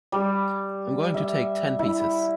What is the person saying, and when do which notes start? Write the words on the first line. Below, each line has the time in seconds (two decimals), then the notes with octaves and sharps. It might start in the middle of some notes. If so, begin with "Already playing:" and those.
I’m going to take ten pieces.
0.12 G3
1.14 E5
1.79 E4